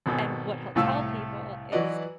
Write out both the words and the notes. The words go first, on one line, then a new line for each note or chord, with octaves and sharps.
and what he'll tell people is,
G#1 B2 A4 G#5
C2 A2 A3 F5 E6
E3 F#3 F#4 B4 D5 D#5